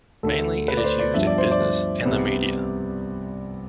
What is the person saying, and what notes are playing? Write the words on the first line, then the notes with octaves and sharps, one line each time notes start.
Mainly it is used in business and the media.
D2 D3 A3 A4
B4
D5
C5
D5
G2 F3 B3 D4 E5
D5
C5
D5
C2 C3 G3 B3